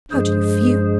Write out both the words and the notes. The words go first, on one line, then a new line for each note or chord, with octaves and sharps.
How do you feel?
G2 F3 G#3 G#4 C5